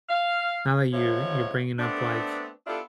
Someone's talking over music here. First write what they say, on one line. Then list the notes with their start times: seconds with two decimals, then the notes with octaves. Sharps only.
Now that you you're bringing up, like
0.09 F5
0.93 G#2 F3 F#3 A3 C#5
1.79 A3 B3 C4 D4
2.67 B3 D4 E4 F4 G4 A4